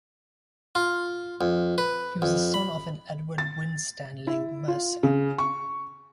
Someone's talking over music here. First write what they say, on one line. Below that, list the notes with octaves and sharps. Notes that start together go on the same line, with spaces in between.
He was the son of an Edward Winstanley, mercer.
F4
F2
B4
F2
B5
A6
E4
F4
C#3
C#6